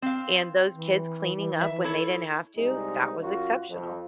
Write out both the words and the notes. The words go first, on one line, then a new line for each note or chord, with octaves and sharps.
And those kids cleaning up when they didn't have to, that was exceptional.
C4 F5
E3
E5
E4 A4 C#5
C2 G#3 D#4
F#2 F4 F#4
F2